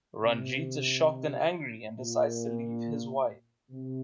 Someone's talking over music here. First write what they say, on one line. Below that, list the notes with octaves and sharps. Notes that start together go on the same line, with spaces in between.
Ranjeet is shocked and angry, and decides to leave his wife.
C3
A#2
C3